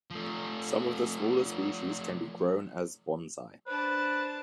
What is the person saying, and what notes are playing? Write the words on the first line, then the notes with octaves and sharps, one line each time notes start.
Some of the smaller species can be grown as bonsai.
F3 A3
D4 B4 C5 A5